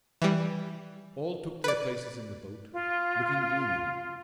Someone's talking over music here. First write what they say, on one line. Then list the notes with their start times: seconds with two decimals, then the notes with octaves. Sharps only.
All took their places in the boat, looking gloomy.
0.22 E3 G3
1.64 B4 D5
2.73 F4